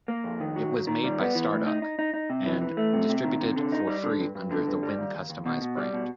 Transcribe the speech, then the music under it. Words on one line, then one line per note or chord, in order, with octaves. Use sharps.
It is made by Stardock, and distributed for free under the WinCustomize brand.
A#3
F2
D#3
F#3
D#2
D#3
G3
B3
E3
A2
D#4
D#4
D#4
D#4
C3
E3
E3
A3
C3
C3
D#3
C3
D3
D#4
G3
D3
G2
G2
D3
G2
G3
D#2
D#2
D#2
B2
B2
G3
B2